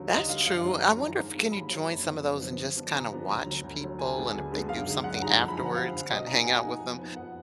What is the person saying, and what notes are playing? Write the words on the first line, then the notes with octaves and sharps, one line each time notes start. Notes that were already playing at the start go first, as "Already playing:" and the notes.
That's true. I wonder if can you join some of those and just kinda watch people and if they do something afterwards, kinda hang out with them.
Already playing: D#2 D3 F#3
D#2 D#5
D3 F#3 F5
F#2 F5
D#3 F#3 D4
F#2 A#5
D#3 F#3 D4
G#2
F#3 A#3 D4
G#2 B5
F#3 A#3 D4
F#2
D3 F3 B3
F#2
D3 F3 B3
D3
F3 B3 D4
D3 A#5
F3 B3 D4
D2 A#5
D3 F#3
D2
D3 F#3
D2 G#5
D3 G#3 B3 D4
D2
D3 G#3 B3 D4
F#2 F5
D3 G#3 D#4
F#2 F#5
D3 G#3 D#4 A#5
F2
B5
D3 F3 A#5
F#5
F2 F5
D3 F3
B2 D#5
A#3 D#4 A#5
G#5
B2 F#5
A#3 D#4
F2
F3 B3 D#4
F2 F#5